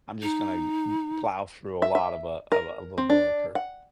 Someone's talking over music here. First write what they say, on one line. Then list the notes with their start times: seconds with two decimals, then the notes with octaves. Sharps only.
I'm just gonna g g plow through a lot of a of a of a book," or
0.22 D#4
1.82 E5
1.95 E5
2.52 A#4
2.98 C4
3.10 D4
3.55 F#5